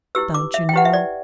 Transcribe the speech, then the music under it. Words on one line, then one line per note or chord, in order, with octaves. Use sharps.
Don't you know?'
E4 G4 B4 E6
D6
E5
G5
E4 G4 B4 F#5
E5
D5